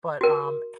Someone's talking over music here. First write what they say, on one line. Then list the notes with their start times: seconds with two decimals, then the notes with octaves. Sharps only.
but, um,
0.21 F#4 A#4